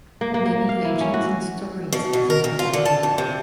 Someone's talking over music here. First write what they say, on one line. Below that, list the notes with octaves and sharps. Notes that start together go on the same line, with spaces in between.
Many legends and stories exist about him.
A#3
A#3
A#3
F5
E4
C#4
F#4
B2
B2
A#4
D2
F4
D3
A5
F2
C3